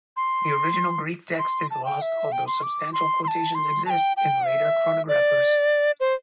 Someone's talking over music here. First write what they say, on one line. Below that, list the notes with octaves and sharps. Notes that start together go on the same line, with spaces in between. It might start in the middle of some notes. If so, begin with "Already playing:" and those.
The original Greek text is lost, although substantial quotations exist in later chronographers.
C6
C6
A5
G5
E5
G5
C6
D6
C6
C6
A5
C6
A5
G5
G5
E5
D5
C5